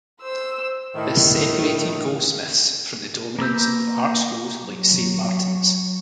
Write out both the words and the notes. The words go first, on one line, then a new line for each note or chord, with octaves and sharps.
This separated Goldsmiths from the dominance of art schools like Saint Martins.
C5 E6
A2 D#3
A#3 B4 E6 G6
F#3